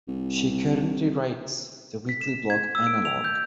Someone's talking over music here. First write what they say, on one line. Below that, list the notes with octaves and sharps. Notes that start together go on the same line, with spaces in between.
She currently writes the weekly blog 'Annalog'.
C2
B6
E7
G#6
E6
D7
F7
G6